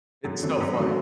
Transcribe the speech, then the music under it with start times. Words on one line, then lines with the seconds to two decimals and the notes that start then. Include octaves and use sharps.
It's so funny.
0.25 F#2
0.43 D3 F#3 A3 C4
0.61 F#2
0.78 D3 F#3 A3 C4